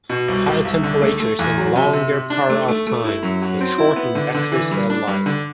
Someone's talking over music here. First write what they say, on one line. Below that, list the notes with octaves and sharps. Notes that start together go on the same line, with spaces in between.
Higher temperatures and longer power-off time will shorten battery cell life.
B2
C2
C2
C2
D3
A3
A3
E2
F#3
C3
C3
C3
D4
A3
A3
A3
E4
F#2
F#3
C4
E4
B3
D3
D3
E3
G2
D4
G2
D3